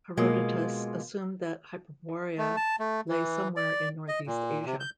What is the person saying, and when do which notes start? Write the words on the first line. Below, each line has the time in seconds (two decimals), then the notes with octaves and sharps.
Herodotus assumed that Hyperborea lay somewhere in Northeast Asia.
0.17 B2 G#3 A#3 F4
2.38 A3
2.57 A5
2.79 A3
3.09 E3
3.57 D5
4.08 D#5
4.27 A#2
4.66 C3
4.80 G6